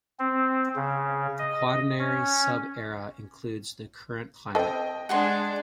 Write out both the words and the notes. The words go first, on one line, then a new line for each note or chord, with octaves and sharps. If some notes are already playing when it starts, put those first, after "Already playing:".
The Quaternary sub-era includes the current climate.
C4
C#3
D#5
C#4
C4 A4 D#5 G5
G#3 D4 F#5 G#5 C6